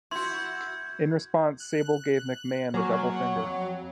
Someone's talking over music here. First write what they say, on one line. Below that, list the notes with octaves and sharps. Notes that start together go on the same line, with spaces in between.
In response, Sable gave McMahon the double finger.
E4 F#4 C6 G6 G#6
F#6
F#3 A#3 G#4 C#5
F2